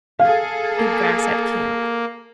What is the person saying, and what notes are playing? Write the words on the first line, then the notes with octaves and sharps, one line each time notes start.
Good grass at camp.
G#4 A4 F5
A#3